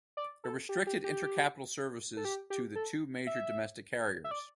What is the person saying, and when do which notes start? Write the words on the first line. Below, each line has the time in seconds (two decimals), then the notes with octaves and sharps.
It restricted intercapital services to the two major domestic carriers.
0.17 D5
0.44 A4
0.69 G4
0.87 G4
1.04 G4
2.17 A4
2.25 G4
2.50 G4
2.75 A4
3.27 E5
4.24 E5
4.31 D5